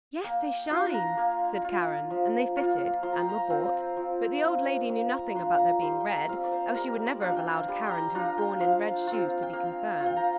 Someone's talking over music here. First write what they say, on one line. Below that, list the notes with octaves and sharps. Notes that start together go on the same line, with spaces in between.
"Yes, they shine!" said Karen, and they fitted, and were bought, but the old lady knew nothing about their being red, else she would never have allowed Karen to have gone in red shoes to be confirmed.
A#3 G5
D4 F4 C6
A#5
A#3
F4
F3
A#3 F4
F3 C6
A#5
G5
A#5
C4 F4
F3
A#3 D4
A#3 G5
A#5
D4 F4 C6
A#5
G3 C6
G5 A#5
C4 F4 F5
D5
C5
G3 A#4
D5
A#3 D4 F4
G5
G3 C6
G5 A#5
D4 F4 A#5
G5
F3 F5
C4 F4
G5
A#3 F5
F4
G5
A#5